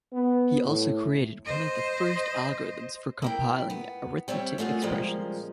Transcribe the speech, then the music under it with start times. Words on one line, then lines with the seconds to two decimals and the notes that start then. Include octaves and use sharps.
He also created one of the first algorithms for compiling arithmetic expressions.
0.13 B3
0.65 A2
1.45 C5 D#5
3.22 A#3 E4 G5
3.70 B3
4.28 G3 C4 C#5 D#5 E5
4.58 A3 A#3 C#4 F4 F#4 G#4
4.82 A#2 C#3 F3 G3 G#3 A#3